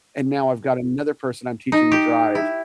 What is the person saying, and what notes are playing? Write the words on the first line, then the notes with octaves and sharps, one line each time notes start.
And now I've got another person I'm teaching to drive,
D#4
G4
E4